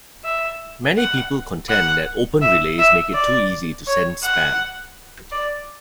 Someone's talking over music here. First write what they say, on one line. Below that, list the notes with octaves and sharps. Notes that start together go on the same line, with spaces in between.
Many people contend that open relays make it too easy to send spam.
E5
F#5
F#5
E5
E5
D5
C#5
F#5
D5